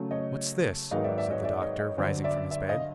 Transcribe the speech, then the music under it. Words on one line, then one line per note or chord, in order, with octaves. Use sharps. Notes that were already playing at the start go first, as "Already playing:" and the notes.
"What's this?" said the doctor, rising from his bed.
Already playing: C#3 F#3 A3
C#5 D#5
G#2 D#3 F#3 B3 D#4 D#5 F5
D5 E5
D5 E5
C#5 D#5
D5 E5
C#5 D#5
C#5 D#5
G2 D3 F#3 C5 D5
D5 E5
D5 E5
D#5 F5